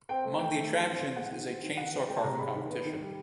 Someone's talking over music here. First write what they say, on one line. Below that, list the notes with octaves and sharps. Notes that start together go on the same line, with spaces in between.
Among the attractions is a chain saw carving competition.
C4 G5
A3
D#3 G5
A3
E3
C4
E3
G#3 F#5
D#3
C4
D#3
E3 F#5
C4
G#3 G5
A5
C3 A#5
G#3 B5
D#3
B3
D#3
G3